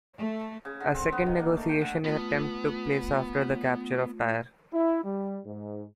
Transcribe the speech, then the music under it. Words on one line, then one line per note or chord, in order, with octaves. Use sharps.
A second negotiation attempt took place after the capture of Tyre.
A3
C#3
D3
C4
B3
D#3
A#3
A3
G5
D3
A3 B3 F4
E4
G3
G#2